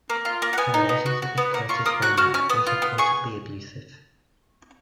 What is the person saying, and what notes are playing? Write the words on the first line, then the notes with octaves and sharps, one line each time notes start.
Her relationship with Curtis Womack was reportedly abusive.
A#3
F4
A#3
F#5
B3 G#5
D#4
B3
F#4
F#4
B3
A#3 F#5
F4 C#6
A#3 D#6
F#4 F#6
F#4 F6
C#4 F6
B3 D#6
F4
B3
G#4 C#6